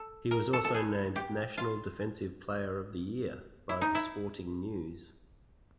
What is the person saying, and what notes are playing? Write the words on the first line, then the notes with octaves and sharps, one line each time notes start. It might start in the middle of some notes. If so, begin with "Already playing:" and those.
He was also named National Defensive Player of the Year by "The Sporting News".
Already playing: A4
A#4
A4
A4
G#4
G4
F4
E4
D#4
E4